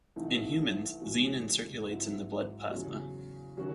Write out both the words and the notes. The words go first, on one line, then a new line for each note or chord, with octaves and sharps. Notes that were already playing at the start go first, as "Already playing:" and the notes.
In humans, xenin circulates in the blood plasma.
C2 C3 E3 A3 D#4
E2 C#3 G#3 D#4 F#4
G#2 F#3 C4 E4
E2 C#3 F#3
D#3 F#3 C#4 F#4